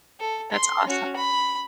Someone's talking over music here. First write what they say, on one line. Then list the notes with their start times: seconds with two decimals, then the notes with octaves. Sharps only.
that's awesome.
0.20 A4
0.52 C6
0.87 C#4 F#4
1.16 B5